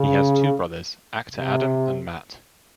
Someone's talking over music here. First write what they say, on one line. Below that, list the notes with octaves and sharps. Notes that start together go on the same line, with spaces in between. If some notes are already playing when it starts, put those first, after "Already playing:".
He has two brothers, actor Adam and Matt.
Already playing: C#3
C3